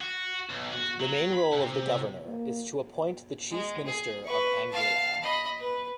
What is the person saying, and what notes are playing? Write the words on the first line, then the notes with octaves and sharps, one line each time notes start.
The main role of the Governor is to appoint the Chief Minister of Anguilla.
F#4
B1
F#4
F#3
B5
C3
A#3
G#3
G#4
B4 C#6
F5 A5
D#5 B5
B4